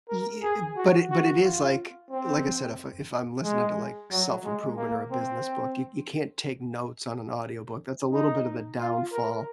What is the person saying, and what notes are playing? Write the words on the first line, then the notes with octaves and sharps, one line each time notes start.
Ye i but it but it is, like, like I said, if I if I'm listening to, like, self-improvement or a business book, you you can't take notes on an audiobook. That's a little bit of a downfall.
A#4
G#4
F#4
F#4
F4
C4
G#3
F#3
G#3
A#3
C4
D#4
F4
A#4